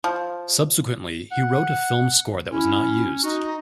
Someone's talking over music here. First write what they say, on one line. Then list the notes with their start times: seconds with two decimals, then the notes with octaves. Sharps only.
Subsequently, he wrote a film score that was not used.
0.04 F3
1.32 F#5
2.51 C#4 E4
3.23 D#4 F#4